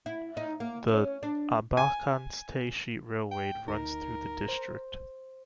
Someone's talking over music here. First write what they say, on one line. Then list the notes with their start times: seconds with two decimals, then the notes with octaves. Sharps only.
The Abakan-Tayshet railway runs through the district.
0.06 E4
0.37 D#4
0.60 A#3
0.88 C#4
1.23 D4
1.77 G#5
3.31 G5
3.68 D2 D#4 A#4
4.48 C5